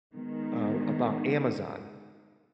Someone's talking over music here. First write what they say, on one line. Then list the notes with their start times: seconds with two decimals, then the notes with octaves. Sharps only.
uh, about Amazon.
0.14 D#3 G#3 B3